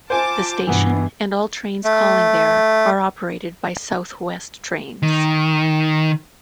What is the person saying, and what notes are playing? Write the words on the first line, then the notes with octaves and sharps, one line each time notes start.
The station, and all trains calling there, are operated by South West Trains.
F4 C5 G#5 A5 D6
G2 B2 E3 B3
A3
D#3